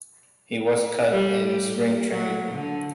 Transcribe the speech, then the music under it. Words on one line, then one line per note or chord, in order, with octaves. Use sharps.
He was cut in spring training.
G3
G4
A#3
F#3
D3